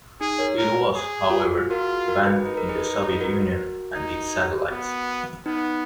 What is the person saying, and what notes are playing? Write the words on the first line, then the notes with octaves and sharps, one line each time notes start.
It was, however, banned in the Soviet Union and its satellites.
D#4 G#4
A#4 C#5
A#4
G#4
F4
F#4
G#4
F4 F#4 A#4
F#4 A#4
G#4 B4
D#4 B4
A#4
G#4 B4
B4
F#4 A#4
D#4
B3
B3 D#4